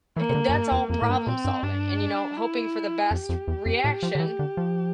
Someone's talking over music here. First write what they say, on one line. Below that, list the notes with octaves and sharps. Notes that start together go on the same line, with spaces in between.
e that's all problem solving, and, you know, hoping for the best reaction
E3 A#3
C3
D3
F2
G2
E2
F2 A#3
A2
G2
A#2 C4
G2
G2 D4
E4
F2 G4
F2
E2
F2
A2
F3
D3
E3
D3
F3